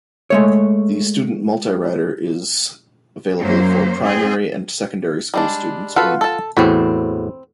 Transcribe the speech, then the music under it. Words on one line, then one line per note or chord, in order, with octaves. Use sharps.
The Student MultiRider is available for primary and secondary school students only.
G#3 A3 C#5
F#2 F#3 A#3 C5
C4 G#4
G3 G#3 D4
F4 F#4 A4 B4 F5 F#5
A4 A5
E2 A2 C4 F#4 B5